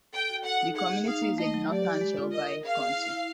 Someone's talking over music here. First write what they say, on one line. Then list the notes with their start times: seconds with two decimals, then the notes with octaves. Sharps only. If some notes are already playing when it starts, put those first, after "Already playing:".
The community is in northern Shelby County.
0.13 A4 G5
0.29 F#4
0.44 A4 F#5
0.60 D#4
0.76 G#4 F#5
0.91 G#4
1.07 D#4 F5
1.22 A#3
1.38 A3 D#5
1.54 F#3
1.69 G4 D5
1.85 G4
2.01 G#3
2.17 F4
2.32 A#4 D#5
2.49 A#4
2.63 G#4 F5
2.79 G#4
2.95 E4
3.11 E4